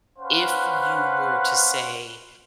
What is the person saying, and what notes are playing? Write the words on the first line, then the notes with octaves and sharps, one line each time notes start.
if you were to say,
C#4 B4 C5 F5 F#5